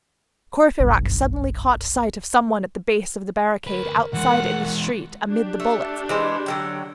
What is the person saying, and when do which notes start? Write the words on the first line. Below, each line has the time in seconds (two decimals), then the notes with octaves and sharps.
Courfeyrac suddenly caught sight of some one at the base of the barricade, outside in the street, amid the bullets.
0.80 F#1 B1 G2
3.67 D2 A#4 B4
4.14 E3 G#3 F#5
5.29 D4 G4
5.60 A3
6.09 E3 G#3 C5
6.46 D3 F#3 G5